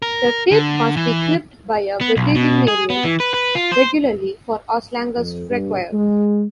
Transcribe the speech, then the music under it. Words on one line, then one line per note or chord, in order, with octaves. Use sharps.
The teeth must be clipped by a veterinarian regularly for as long as required.
A#4
D3
E3
B3
B1
B2
G#4
B3
E3
B4
B4
F4
C5
F2
G2
G#3